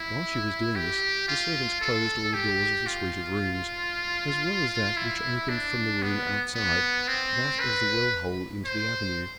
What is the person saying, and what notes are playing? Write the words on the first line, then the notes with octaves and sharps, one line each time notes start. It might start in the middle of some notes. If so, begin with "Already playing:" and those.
While she was doing this, the servants closed all the doors of the suite of rooms, as well as that which opened from the room outside--that of the well-hole into the avenue.
Already playing: E4
G4
F4
A4
G4
F4
E4
D4
B3
B3
C4
B4
C5